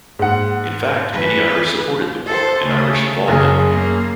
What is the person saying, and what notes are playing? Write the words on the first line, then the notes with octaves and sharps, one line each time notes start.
In fact, many Irish supported the war and Irish involvement.
G#2 F#5
E3 B4
A4 C5
C#3 A3
F#1 C#3 G#4
A#3